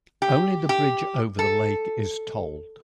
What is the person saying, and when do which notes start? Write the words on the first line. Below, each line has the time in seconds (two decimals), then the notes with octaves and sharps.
Only the bridge over the lake is tolled.
0.22 G4
0.69 G4
1.39 A4